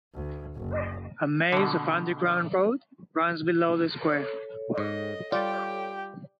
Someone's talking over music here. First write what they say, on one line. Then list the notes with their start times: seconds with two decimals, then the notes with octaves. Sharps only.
A maze of underground roads runs below the square.
0.15 D2
0.55 F#1
1.52 B2 D3
4.11 A4 C#5
4.78 G#2 D#5
5.32 G3 F4 G4 D5 G5